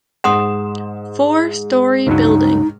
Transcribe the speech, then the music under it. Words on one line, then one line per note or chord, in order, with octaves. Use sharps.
Four story building.
G#2 F#5 C6 D#6 E7
C#2 G2 F#3 D#4